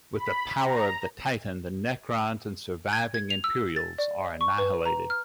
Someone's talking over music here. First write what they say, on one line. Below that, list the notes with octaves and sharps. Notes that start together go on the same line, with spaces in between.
With the power of the Titan, the Necrons and surviving Imperials are annihilated.
B5
A#5
G#6
G#6
F7
E6
A6
D5
C#6
B4
A#5
F6